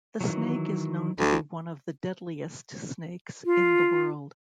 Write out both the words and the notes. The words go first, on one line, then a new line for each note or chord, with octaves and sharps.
The snake is known to be one of the deadliest snakes in the world.
D#3 E3 F#3
D2
F4